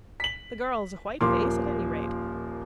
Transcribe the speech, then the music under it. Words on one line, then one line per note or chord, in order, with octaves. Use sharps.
The girl's a white face at any rate.
B6 F#7
D#1 F3 A#3 C6 D6